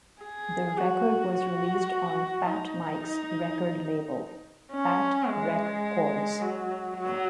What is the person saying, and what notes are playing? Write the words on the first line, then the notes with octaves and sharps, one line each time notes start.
The record was released on Fat Mike's record label, Fat Wreck Chords.
G#4
F#4
F#4
D#4
C#4
G#3
F#3
F#3